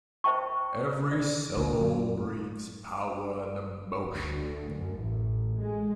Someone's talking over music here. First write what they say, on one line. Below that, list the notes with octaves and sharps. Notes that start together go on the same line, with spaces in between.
Every syllable breathes power and emotion.
C5 E5 G5 A5 C#6
D5
D2
F#2
D2
F#2
A1
G#3